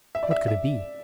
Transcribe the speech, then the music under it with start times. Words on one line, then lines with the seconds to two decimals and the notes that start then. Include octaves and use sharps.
What could it be?
0.15 E5
0.23 D5
0.31 E5
0.48 E5